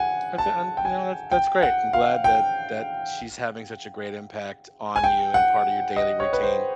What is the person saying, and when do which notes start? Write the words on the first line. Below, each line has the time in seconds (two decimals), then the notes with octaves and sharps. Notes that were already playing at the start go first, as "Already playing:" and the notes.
I feel, um, no, that's that's great, I'm glad that that she's having such a great impact on you and part of your daily routine,
Already playing: F#5 G#5
0.38 A5
0.77 G5
0.85 G#5
1.32 G5
1.62 F#5
1.93 F5
2.24 G5
4.96 G#5
5.04 G5
5.34 F#5
5.96 D#5
6.20 C#5
6.33 B4
6.43 C5